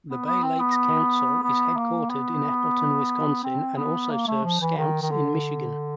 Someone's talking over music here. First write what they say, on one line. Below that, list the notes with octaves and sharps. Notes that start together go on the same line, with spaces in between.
The Bay-Lakes Council is headquartered in Appleton, Wisconsin, and also serves Scouts in Michigan.
B3
B3
C4
B3
B3
A#3
B3
C4
B3
A#3
A3
F3
E3
D#3
D#3
D3